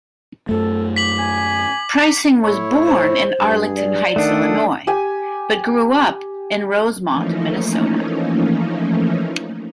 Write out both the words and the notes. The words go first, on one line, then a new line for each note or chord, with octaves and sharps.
Preissing was born in Arlington Heights, Illinois, but grew up in Rosemount, Minnesota.
F#2 A3 A4
D6 B6 F#7
G#5
A2 E4 C#5
C5
G2 G#4
D5
D#3 A3 D4 A4 F#5 D#6
G4 G#5
E3 F3 A3 A#3 C#4 D#4